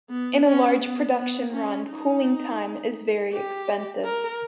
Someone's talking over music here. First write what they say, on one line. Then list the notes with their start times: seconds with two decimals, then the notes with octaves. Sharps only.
In a large production run cooling time is very expensive.
0.10 B3
0.45 C#4
0.81 B3
1.17 B3
1.53 C#4
1.89 D#4
3.33 G4
4.04 A#4